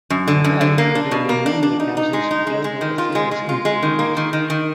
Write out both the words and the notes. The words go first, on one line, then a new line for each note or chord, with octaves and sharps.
Today the building mainly houses Global Affairs employees.
F#2
D3
F#2
D3
A#3
D4
B2
A#3
D4
D4
D#4
D#4
G#3
D#4
G#3
G#3
D#3
F4
G#3
G#3
F4
G#3
D#3
A#3
D#3
D#3
D#3